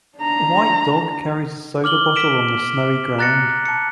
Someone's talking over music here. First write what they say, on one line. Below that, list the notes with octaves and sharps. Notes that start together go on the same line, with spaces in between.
A white dog carries a soda bottle on the snowy ground.
D4 A#5
D6 F6 F#7 G7
B6 D7 E7 F#7
A#5 F#6 A6 A#6 C#7
A5 C#7